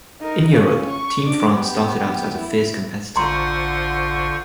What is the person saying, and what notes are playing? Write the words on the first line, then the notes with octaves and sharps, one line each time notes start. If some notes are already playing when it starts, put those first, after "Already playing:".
In Europe, team France started out as a fierce competitor.
D#4 A#4
C#4 F4
C#6
D4 D6
B3 G4
E4
A1 D3 F4 C5 F#5 A#5 C6 C#6